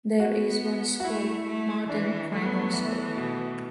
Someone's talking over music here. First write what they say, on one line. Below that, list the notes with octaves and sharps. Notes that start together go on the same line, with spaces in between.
There is one school: Marden Primary School.
B3 F#4
F#4
A3 E4
A3
E3 D4
F#3 A3
B3
A3
E3 B3
A3
B2